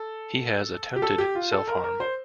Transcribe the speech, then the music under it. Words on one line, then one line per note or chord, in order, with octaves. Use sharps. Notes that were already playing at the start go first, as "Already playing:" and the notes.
He has attempted self-harm.
Already playing: A4
G4
A4
G4
F4
A4
A#4
A#4
C5